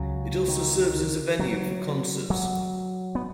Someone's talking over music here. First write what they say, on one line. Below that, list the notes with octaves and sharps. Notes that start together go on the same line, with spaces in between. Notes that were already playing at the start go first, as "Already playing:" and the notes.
It also serves as a venue for concerts.
Already playing: C#2 C#3 F#3
D#3
F#3
F#3
B3